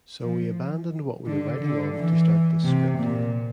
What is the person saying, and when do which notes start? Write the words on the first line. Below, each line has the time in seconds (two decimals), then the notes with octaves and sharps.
So we abandoned what we were writing on to start this script.
0.22 F3
1.26 D3
1.60 D3
1.95 E3
2.64 C3
2.98 A#2